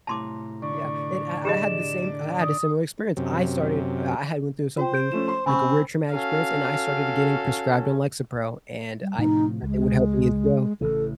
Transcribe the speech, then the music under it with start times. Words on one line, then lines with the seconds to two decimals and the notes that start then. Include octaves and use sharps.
Yeah, and I I had the same I had a similar experience. I started I had went through something, like, a weird traumatic experience, and I started getting prescribed on Lexapro, and I thought it would help me as well,
0.07 A2 C3 A5 A#5 C6 D6
0.62 D3 D5 C#6
1.45 G4 G#4 D#5 E7
2.40 D#6
3.17 F#2 C3
4.77 F4 C5 G5
4.94 G6 D7
5.12 F3 A3 C#4 E7
5.28 C6
5.46 C#3 C4 G#5 B5 C#6
6.14 C#4 F#4 A4 F5
9.01 G3
9.18 A2 C3 F3 D#4
9.62 C#2 G#3
10.81 A1 C#3 E3 A4